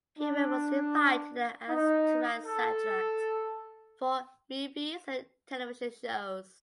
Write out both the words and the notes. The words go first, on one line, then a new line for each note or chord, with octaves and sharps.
Hubert was invited and asked to write soundtracks for movies and television shows.
D4
D#4
A4